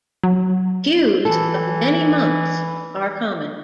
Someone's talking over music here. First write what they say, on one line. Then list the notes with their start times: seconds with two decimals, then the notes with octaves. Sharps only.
Queues of many months are common.
0.23 F#3
1.25 E3 A4